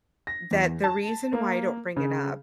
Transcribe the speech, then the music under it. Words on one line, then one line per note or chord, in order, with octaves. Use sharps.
that the reason why I don't bring it up
A#6
E2
A5
A#3
C#3